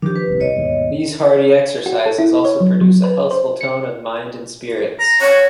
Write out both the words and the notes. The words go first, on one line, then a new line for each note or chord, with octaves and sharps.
These hardy exercises also produce a healthful tone of mind and spirits.
D#3 F3 D4 G4
B4
D#1 C2
C#5 D#5
D#2 G#2 B2
F#4
A4
E4
C#5
F#3
F#3
B4
C5
C#7
A#5
F#4 C#5